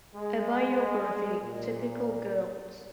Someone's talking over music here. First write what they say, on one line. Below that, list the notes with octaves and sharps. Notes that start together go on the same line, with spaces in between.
A biography - Typical Girls?
G#3
A#2